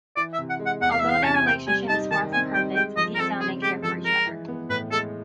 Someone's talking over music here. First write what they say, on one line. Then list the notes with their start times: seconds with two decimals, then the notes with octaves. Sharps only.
Although their relationship is far from perfect, deep down they care for each other.
0.16 E3 D5
0.33 E5
0.38 C3
0.49 F#5
0.60 G#3
0.66 F#5
0.81 E2 F#5
0.91 F5
0.99 E3 E5
1.10 F5
1.23 C3 A5
1.34 G#5
1.46 C4 G5
1.68 G3 G#5
1.89 D#4 A5
2.11 D#3 A5
2.32 C4 G#5
2.54 G3 G5
2.75 G#3 G5
2.97 F3 D#5
3.15 A#4
3.18 C4 A4
3.40 C#3 G#4
3.62 G#3 G4
3.83 F3 A4
4.05 G#3 A#4
4.27 E3
4.48 B3
4.70 A2 B4
4.91 G#3 A4